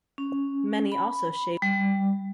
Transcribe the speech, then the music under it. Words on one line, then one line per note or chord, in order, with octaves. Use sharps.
Many also shave their head as this is considered hygienic.
C#4
B5
G3